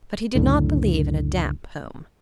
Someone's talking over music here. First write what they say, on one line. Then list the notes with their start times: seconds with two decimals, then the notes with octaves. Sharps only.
But he did not believe in a damp home.
0.35 C#2 F#2 A2 D3